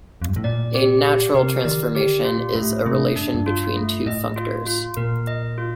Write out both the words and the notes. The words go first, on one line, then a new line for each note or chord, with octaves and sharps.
A "natural transformation" is a relation between two functors.
F2
G2
A2
A#2 D5
G4
G4
C3 A#4
D#3 D5
D3 G4
A#2 F4
A2 A3
C3 A3
G2 D4
A2
G2
F4
A3
A2 D#5
F4
F4
A#2 A#4
D#5
F4